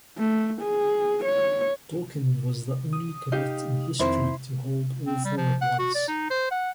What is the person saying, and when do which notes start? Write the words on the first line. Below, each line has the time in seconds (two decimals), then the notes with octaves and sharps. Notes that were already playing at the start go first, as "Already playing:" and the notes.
Dawkins was the only cadet in history to hold all four at once.
0.18 A3
0.62 G#4
1.25 C#5
2.93 D#6
3.32 D#4 G4 F5
3.99 F2 D#3 C4 E4 C5
5.07 C4
5.25 G3
5.37 F3
5.61 F#5
5.79 F#4
5.95 D5
6.08 D#4
6.30 C5
6.51 F#5